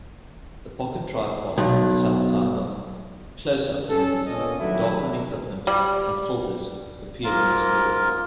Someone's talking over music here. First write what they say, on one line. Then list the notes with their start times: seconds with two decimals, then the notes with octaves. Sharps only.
A pocket tripod, self-timer, close-up lenses, darkroom equipment and filters appeared in this period.
1.58 B1
3.89 C#4 A4
4.27 C#2 A#2 B3 C#4 D4 D#5
4.59 D#3 F#3 G3 A3 D4 E4
5.67 G3
7.24 G#2 F4 A#4